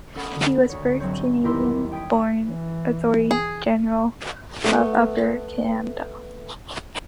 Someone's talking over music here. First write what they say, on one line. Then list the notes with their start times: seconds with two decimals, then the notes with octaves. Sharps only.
He was the first Canadian-born attorney general of Upper Canada.
0.15 C#4 A4 F#5 B5 D#6
0.35 D3
0.69 D2 C#5
1.00 G1 F#3 C4 C#5 G6
1.44 D#2 E4 G4 A#4 C6 E6
1.92 G5 D#6 G#6 B6 D7
2.44 E3
3.31 G#4
4.64 A3 B3